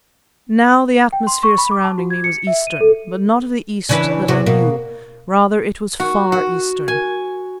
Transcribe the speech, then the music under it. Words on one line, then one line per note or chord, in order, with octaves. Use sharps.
Now, the atmosphere surrounding me was Eastern, but not of the East that I knew; rather it was Far Eastern.
G5
C6
C#6
B5
D6
A5
F#4
G#6
C#7
E5
D#7
A4
C#3 E3 D4 B4
D4
E2 C3 F#4
B2 A#3
F#4
F#4
G#5